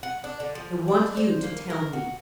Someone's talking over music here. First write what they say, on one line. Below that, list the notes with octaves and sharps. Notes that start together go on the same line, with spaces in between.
"I want you to tell me."
F#5
D4
D3
F3
D4
C5
A#3
A#4
F#4